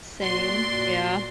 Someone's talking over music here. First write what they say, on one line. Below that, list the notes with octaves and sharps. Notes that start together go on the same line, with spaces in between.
Same, yeah.
A#2 F#4 D5 C6